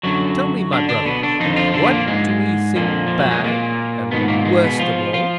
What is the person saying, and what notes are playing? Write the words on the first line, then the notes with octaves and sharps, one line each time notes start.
Tell me, my brother, what do we think bad, and worst of all?
F#2 D3 F#3 F#4
D3 D4
D3 D4
B2 B3
D3 D4
F2 D3 D#3 D#4
F3 F4
D3 D4
B3
A#2 A#3
G#2 G#3
F2 A#2 D3 A#3
F3
F#3
G#3
A#2 A#3
G#2 B2 D#3 B3
A#2 A#3
G#2 G#3
B2 B3
F3 F4
F3 F4